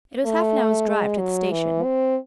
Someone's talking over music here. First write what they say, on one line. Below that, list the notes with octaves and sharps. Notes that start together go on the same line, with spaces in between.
It was half-an-hour's drive to the station.
A3
G#3
F#3
E3
C4